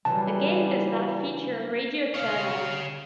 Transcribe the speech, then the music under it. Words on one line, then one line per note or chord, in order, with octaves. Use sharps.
The game does not feature radio channels.
C#3 E3 F#3 G3 A5
C#5 F5